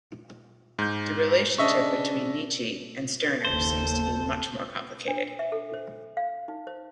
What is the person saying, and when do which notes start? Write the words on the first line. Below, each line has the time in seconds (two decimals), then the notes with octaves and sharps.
The relationship between Nietzsche and Stirner seems to be much more complicated.
0.79 G#2 G6
1.58 C#3 D4 D#5 E5 C#6
3.45 F#1 D#2 A4 C5
5.08 D4
5.39 E5
5.52 A4
5.74 C5
6.17 F5
6.48 D#4
6.67 C5